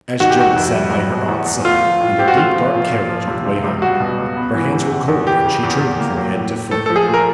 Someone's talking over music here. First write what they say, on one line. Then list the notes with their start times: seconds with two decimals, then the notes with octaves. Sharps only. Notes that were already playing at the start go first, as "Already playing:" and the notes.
As Joe sat by her aunt's side in the deep dark carriage on the way home, her hands were cold and she trembled from head to foot.
0.20 D#3 F#4
0.30 G4
0.38 C3 F#4
0.56 F2
0.74 G3
0.93 F#3
1.11 B2
1.28 E2
1.46 E2
1.65 A3 F4
1.83 F3
2.01 A2
2.19 C4 G4
2.28 F#4
2.37 A3 F4
2.55 F3
2.74 A#2
2.91 A#2
3.09 F3
3.28 C3
3.46 C#2
3.64 C#2
3.82 G3 F#4
4.00 B2
4.18 C#2
4.36 B3
4.55 E3
4.73 C3
4.90 E2
5.08 E2
5.27 E3 G4
5.45 C#3
5.63 E2
5.81 E2
5.99 A#3
6.17 F#3
6.35 A2
6.54 A2
6.71 A3 A4
6.86 F3 A4
6.96 G#4
7.08 A#2
7.14 A#4